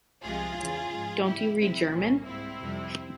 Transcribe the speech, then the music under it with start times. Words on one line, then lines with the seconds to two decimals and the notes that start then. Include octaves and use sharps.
Don't you read German?
0.24 C2 C3 F3 G#3 F4 G#4
0.57 E2 C#3 E3
0.92 G#2 F3 G#3
1.25 G#2 E3 G3 E4 G4
1.58 C2 C3 F3 G#3 C4 E4
1.92 C2 A#2 G3 A#3 C#4
2.25 G#2 G3 C4 E4
2.59 F2 C3 G3